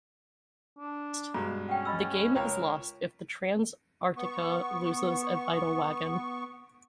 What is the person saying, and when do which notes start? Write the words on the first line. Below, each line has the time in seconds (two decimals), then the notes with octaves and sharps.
The game is lost if the "Transarctica" loses a vital wagon.
0.79 D4
1.34 G2 B2 G#3 A#5
1.69 C#4 F#5 G5
1.85 D#5 B5 E6
2.35 C#2 A#4 C#5 G5
4.17 B3 C#6